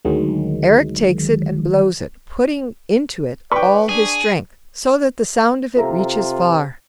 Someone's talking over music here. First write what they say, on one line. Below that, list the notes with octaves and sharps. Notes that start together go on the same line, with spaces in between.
Erec takes it and blows it, putting into it all his strength, so that the sound of it reaches far.
D2 D#3 F#3 G#3
B4 D5 G5 C#6
D4 G#4
C3 F4 A4 E5 A#5